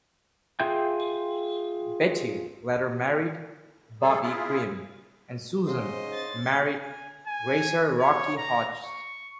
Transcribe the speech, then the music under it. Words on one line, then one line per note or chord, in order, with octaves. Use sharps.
Betty later married Bobby Grim and Susan married racer Rocky Hodges.
F4 G#4 E5 G5 G6
G3 G#4 A4
E4 F4 G#4
G#2 C#3 C5 D#5
A6
G#5
G#5
C#5
A#5
C#6